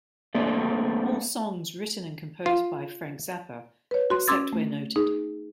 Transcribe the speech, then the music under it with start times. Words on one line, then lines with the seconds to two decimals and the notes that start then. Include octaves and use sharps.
All songs written and composed by Frank Zappa, except where noted.
0.35 A3 A#3 C4 D5
2.46 F4
3.91 B4 C#5
4.10 F#4 C6
4.28 C#4 C6 D6 E6 G#6 A6
4.53 A3
4.96 D#4 G#4